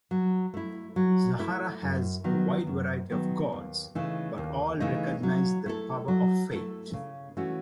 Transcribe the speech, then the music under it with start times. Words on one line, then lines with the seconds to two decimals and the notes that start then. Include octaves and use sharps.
Zakhara has a wide variety of gods, but all recognize the power of Fate.
0.11 F#3
0.54 A3 E4
0.96 F#3
1.39 A3 E4
1.82 F#2
2.24 D#3 F#3 B3
2.67 F#2
3.10 D#3 F#3 B3
3.52 D#2
3.95 C#3 E3 A3 D#4
4.38 D#2
4.80 C#3 E3 A3 D#4
5.23 F#3
5.66 A3 E4 A4
6.08 F#3
6.51 A3 E4 A4
6.93 C#3
7.37 E3 A3 C#4 F#4